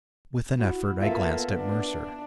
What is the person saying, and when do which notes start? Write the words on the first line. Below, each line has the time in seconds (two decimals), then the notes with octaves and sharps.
With an effort I glanced at Mercer.
0.59 E4 F#4
1.01 A#3 B3 F4 A4 E5 F5
1.56 D4